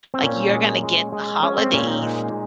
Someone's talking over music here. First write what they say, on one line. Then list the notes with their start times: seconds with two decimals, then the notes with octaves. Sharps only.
Like, you're going to get the holidays
0.14 C4
0.23 A#2 C#4
0.53 G#3
0.83 G#3
1.12 G#3
1.43 G#3 C#4
1.58 C4
1.73 A#2 C#4
1.88 D#4
2.03 G#3